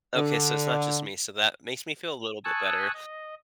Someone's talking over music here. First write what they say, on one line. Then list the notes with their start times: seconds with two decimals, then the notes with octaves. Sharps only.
Okay. So it's not just me. So that makes me feel a little bit better.
0.15 D3
2.44 G#5 A5 C#6 D#6 E6 F#6
2.94 D#5